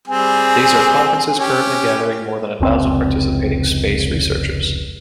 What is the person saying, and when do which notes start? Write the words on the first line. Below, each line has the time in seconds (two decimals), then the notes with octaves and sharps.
These are conferences currently gathering more than a thousand participating space researchers.
0.08 G3 C4 G#4 G#5
1.37 C#4 G4
2.60 F1 C#2 C4